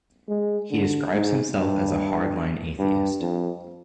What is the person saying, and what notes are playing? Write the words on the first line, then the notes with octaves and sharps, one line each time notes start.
He describes himself as a "hard-line atheist".
G#3
D3
G#2
G2
G2
F2